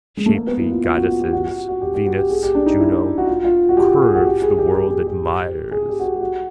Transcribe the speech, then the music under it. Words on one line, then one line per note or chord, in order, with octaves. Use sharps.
Shapely goddesses, Venus, Juno: curves the world admires.
G#3
A3
A#3
B3
E4
F4
F4
F#4
F#4
G4
F#4
F#4
F#4
G4
G4
F#4
G4
G#4
G4
D4
D#4
E4
F#4
F4
F4
F#4
G4
G#4
F#4
G4
G#4
G4
G4
G#4
G4
G#4
G4
F#4
G4
G4
F#4